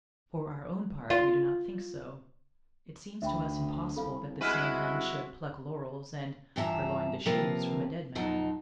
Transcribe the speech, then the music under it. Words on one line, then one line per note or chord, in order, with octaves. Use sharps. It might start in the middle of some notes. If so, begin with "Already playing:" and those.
For our own part, we do not think so; it seems to us impossible that the same hand should pluck laurels and purloin the shoes from a dead man.
F4
D2 E5 G5 B5
C2 A4 F5 B5
G#3 E4 F#4 B4 G#5 F6
G2 E3 F3 E5 A#5
C3 F3 A#3 C4 A#4 B4
F2 F3 F#3 D#4